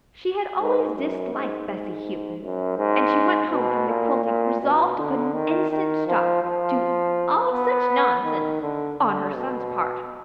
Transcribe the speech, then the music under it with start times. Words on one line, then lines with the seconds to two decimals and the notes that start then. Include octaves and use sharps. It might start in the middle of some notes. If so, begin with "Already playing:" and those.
She had always disliked Bessy Houghton, and she went home from the quilting resolved to put an instant stop to "all such nonsense" on her son's part.
0.59 G#2
0.96 F#2
1.33 G#2
1.69 G#2
2.41 F#2
2.78 G#2
3.52 B2
3.88 A#2
4.24 A#2
4.61 B2
4.97 D3
5.34 D#3
5.71 D#3
6.07 F3
6.44 F3
7.52 B3
8.25 D#3
8.61 D3
8.99 D3
9.35 B2